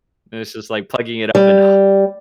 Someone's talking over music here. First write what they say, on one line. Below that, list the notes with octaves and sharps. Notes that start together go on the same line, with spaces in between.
this is like plugging it up and h
G3